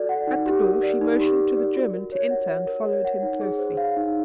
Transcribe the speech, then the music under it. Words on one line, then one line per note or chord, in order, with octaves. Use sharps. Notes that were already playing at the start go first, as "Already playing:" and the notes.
At the door she motioned to the German to enter, and followed him closely.
Already playing: F#4 A4 D5
F#5
D#4
G4
A#4
D5
D#4
G4
A#4
D5
F#4
A#4
C#5
F#5
F#4
A#4
C#5
F#5
D#4
G#4
C5
F5
D#4